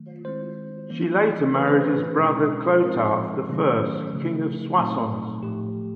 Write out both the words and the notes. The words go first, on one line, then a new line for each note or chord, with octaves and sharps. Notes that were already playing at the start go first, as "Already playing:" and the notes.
She later married his brother Clothar I, king of Soissons.
Already playing: D#3 F#3 A3
D#3 G#3 C4 E4 C5
E3 G3 A#3 C#4
E3 A3 C#4 B4
C5
B4
B2 G#3 C#4 E4
F3 G#3 C4 D#4 A#4
C3 D#3 F#3 A3 C#4
C#3 F3 A3
A#2 F#3 A3 C4 D#4
A2 F3 A3 G4